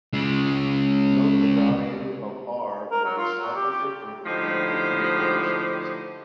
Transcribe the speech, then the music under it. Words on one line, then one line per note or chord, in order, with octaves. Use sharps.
Note the value of r will be slightly different in the two equations.
C#3 G#3
A#4
F#3
F4
F#3
G4
G4
A2 D3 F3 D#4 G4 C5